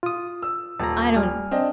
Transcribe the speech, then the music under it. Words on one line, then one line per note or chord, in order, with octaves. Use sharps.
'I don't know.
F4 D#6
E6
D#1 A5 A#5
G3 G#5 F6
C4 D4 D#5